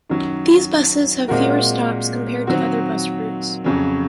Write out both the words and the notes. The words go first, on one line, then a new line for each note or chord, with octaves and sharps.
These buses have fewer stops compared to other bus routes.
F#2 D#3 F#3
A#2 G#3 C4 F#4 A#4
D#3 F#3 C4 F#4
F2 C#3 F#3 C#4